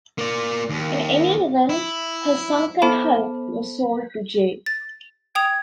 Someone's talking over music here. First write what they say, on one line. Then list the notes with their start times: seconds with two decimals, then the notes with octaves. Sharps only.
In any event, her sunken hulk was sold to J.
0.18 A#3 D5
0.69 D#2
1.69 E4
2.82 B3 A4 C5 A5 B5
4.66 A6
5.35 G5 D#6 G#6 F7